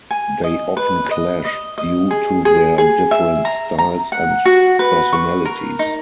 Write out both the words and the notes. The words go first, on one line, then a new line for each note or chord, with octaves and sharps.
They often clash due to their different styles and personalities.
G#5
D#5
B4
D#5
D#5
D#5
G#4
G#4
G#4
E5
A#5
A#5
F#5
F#4
B4
C#6
A#4
D#4